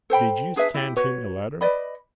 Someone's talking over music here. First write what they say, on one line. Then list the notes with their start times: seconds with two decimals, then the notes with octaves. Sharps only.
"Did you send him a letter?"
0.10 A4 C5 G5 B5
0.56 D4 G#4 B4 E5
0.74 E4 G4
0.96 F#4 B4 C#5
1.61 B4 D5 D#5 B5